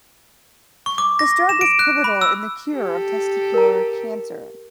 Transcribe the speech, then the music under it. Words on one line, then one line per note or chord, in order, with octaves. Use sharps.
This drug was pivotal in the cure of testicular cancer.
C#6
D6
A#6
E7
D7
F#6
B5
E6
G4 A4
A#4 A#5